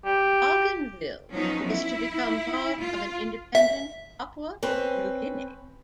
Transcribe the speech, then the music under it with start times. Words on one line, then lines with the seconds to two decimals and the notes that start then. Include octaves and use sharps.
Bougainville was to become part of an independent Papua New Guinea.
0.05 G4
1.31 F3 F#3 B3 C#4 D#4
1.69 E4
2.80 F4
3.55 E5
4.63 C4 C#4 B4